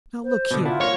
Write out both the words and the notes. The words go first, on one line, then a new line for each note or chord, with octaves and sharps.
Now, look here!
C5
B2 D3
E4 F4 F#5 A5
A#3 C#5